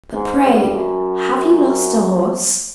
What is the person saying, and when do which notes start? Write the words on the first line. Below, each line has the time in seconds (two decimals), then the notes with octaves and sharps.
But, pray, have you lost a horse?
0.14 G#2
0.45 G2
0.75 F#2
1.35 F#2